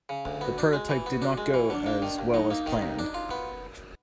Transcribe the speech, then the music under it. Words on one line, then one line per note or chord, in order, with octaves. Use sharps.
The prototype did not go as well as planned.
C#3
D2
B3 F#4
D4
G#3
E3
B3 F#4
D4
G#3
E3
F#3 D4
A#3
D#3
D#2
F#3 D#4
A#3
D#3
D#2
D4
F4
B3